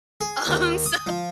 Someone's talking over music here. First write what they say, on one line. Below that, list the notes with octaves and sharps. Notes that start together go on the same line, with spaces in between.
Um, so,
G#4
D#2
D#6
F3